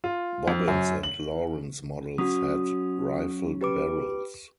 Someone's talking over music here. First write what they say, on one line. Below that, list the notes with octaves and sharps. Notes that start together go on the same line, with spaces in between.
Bobbins and Lawrence models had rifled barrels.
F4
F2
F#2
F#7
F#3 C#4 F#4 D#6
G4 B4 D6